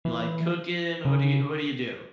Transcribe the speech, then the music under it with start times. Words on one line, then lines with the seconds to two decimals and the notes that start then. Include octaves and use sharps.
You like cooking, what do you what do you do?
0.05 E3
1.05 C#3